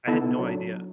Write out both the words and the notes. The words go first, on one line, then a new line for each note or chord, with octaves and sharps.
I had no idea.
C#3 B3 D#4 E4 A4
F#3 D4